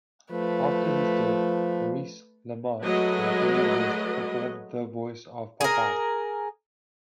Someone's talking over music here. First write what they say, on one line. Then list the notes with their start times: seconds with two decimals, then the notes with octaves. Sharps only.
After his death, Maurice LaMarche and Billy West performed the voice of Popeye.
0.31 F3 A3 B4
2.82 F#3 G#3 A3 F#4 B4 D#5
5.61 G#4 A#4